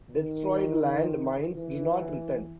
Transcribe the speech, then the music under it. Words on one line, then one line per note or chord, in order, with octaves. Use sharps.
Destroyed land mines do not return.
D#3
E3